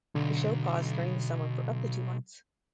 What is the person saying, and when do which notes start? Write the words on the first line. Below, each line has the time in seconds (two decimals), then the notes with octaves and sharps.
The show paused during the summer for up to two months.
0.15 B1 D3